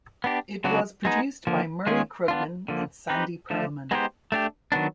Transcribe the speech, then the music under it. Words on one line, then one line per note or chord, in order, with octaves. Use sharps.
It was produced by Murray Krugman and Sandy Pearlman.
B3 D4 G4
C#3 F#3 B3 D4 F#4
G#3 B3 D#4 G#4
D3 F3 A#3
D#3 G#3 C#4 F4 G#4
B3 D4 F4
D3 F3 A#3
C4 D#4 G4 B4
D3 F3 A3
G#3 B3 D#4 G4 C5
A3 D4 G4
D#3 F#3 B3 D4